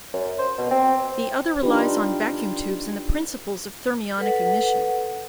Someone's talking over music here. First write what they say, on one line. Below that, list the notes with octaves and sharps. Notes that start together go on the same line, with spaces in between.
The other relies on vacuum tubes and the principles of thermionic emission.
F#2
C5
B2
C4
D4 D#4 F4 G4 B4
A4 B4 F#5